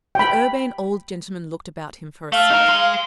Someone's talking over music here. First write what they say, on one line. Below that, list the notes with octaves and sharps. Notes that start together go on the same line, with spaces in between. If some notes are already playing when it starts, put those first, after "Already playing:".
The Urbane Old Gentleman looked about him for a seat.
G5 B5
A3 F5
D#4 A#4
G#3